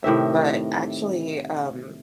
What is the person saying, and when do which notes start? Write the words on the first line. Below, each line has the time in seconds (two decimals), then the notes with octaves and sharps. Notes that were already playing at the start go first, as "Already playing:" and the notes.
uh, but, actually, um,
0.04 A2 C3 D#3 E5